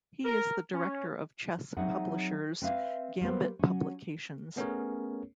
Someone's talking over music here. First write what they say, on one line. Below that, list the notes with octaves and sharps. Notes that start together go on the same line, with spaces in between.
He is the director of chess publishers Gambit Publications.
A#4
C#4
F#3 C4 D#4 G#4 E5 F#5
C4 B4 E5 F5
G3 A#3 B3 C5
F#3 C#4
A3 B3 C#4 G#4 A#4 C#5